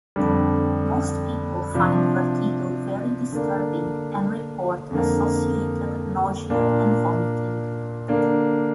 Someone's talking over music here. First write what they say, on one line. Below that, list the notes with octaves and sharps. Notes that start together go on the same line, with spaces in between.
Most people find vertigo very disturbing and report associated nausea and vomiting.
F2 D3 G3
C3 F3 D4
D3 A#3 D4
F2 D3 A#3
A#2 A#3 D4
D3 A#3 D4